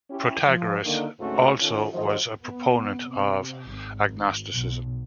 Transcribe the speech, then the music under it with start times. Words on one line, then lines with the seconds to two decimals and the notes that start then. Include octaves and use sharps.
Protagoras also was a proponent of agnosticism.
0.10 C#4 E4 G4
0.46 F3
0.84 D3 D#3 A#3
1.20 D2 G#2 A3 C4 C#4 F#4
1.60 D#3 C#4 F4 A4
1.92 D#3 F3 F#3 A3 C5 D#5
2.43 B3
3.02 C3
3.69 G#1
4.53 B1